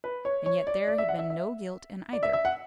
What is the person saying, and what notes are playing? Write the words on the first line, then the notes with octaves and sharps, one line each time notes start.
And yet there had been no guilt in either.
B4
C#5
C#5
D5
D5
E5
F#5
E5
E5
D5
E5
E5
F#5